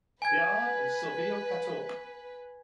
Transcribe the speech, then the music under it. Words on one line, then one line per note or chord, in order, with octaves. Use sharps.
Theard and Silvio Cator.
B4 G#5 G#6